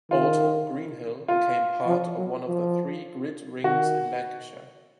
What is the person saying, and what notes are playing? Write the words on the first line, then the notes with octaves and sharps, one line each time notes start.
Oldham Greenhill became part of one of the three grid rings in Lancashire.
D#3 F4
F4
F3
F#3
F3
D#3 F#4